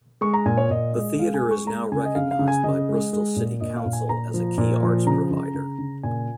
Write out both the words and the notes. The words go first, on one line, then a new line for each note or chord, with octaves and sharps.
The theatre is now recognised by Bristol City Council as a key arts provider.
G#3 C#6
A#5
A#2 G#5
C#5
A#2 D#5
G#3 D#5
G#3 F5
G#5
G#3
C#6
G#3 A#5
C#3 G#5
D#5
C#3 F5
F5
C#3
G#5
C#3 D#5
G#3
G#3
A#2
A#2 D#5
F5
A#2
G#5
A#2 A#5
F3
A#2
F3
C#3 A#5
C#3
C#3
C#3
A#2 G#5